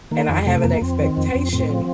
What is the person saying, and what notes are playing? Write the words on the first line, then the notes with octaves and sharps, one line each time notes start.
and I have an expectation
D#3 A#3
F2
C3 A3
F2 A#3
F2 C4
D#3
F2
F2
A2 C4
F3